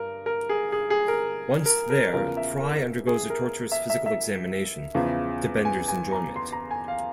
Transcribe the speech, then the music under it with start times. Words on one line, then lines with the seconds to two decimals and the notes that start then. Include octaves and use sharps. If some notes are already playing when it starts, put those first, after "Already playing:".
Once there, Fry undergoes a torturous physical examination, to Bender's enjoyment.
Already playing: G2 A#4
0.26 A#4
0.49 G#4
0.72 G#4
0.90 G#4
1.08 A#4
1.66 A#4
1.90 A#4
2.13 E2 C#3 F3 A#4
2.37 E5
2.61 A#4
2.84 A#4
3.07 G#4
3.30 A#4
3.72 E5
3.90 E5
4.06 E5
4.95 E2 C#3 F3
5.65 G#5
5.88 G#5
6.12 A#5
6.36 C6
6.52 A#5
6.71 G#5
6.88 F5